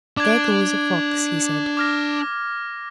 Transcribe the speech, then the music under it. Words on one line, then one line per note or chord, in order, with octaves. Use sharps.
"There goes a fox," he said.
D4 D6 G#6
D6 F6 A#6